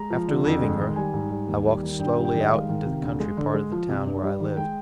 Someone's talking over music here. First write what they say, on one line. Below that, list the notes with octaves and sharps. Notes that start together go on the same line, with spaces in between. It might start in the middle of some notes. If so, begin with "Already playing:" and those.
After leaving her, I walked slowly out into the country part of the town where I lived.
Already playing: G#3 A#5
F3
D3
F2
G#3
D#3
G3 G#5
G#2
G3
D#2
G3
D#3
G2 G5
G3
G5
D#3
D#5
G#3 F5
D#3
C3
D2
G#3
D3
G#3
F3
C3
G2
G3
D#3
G#3 G5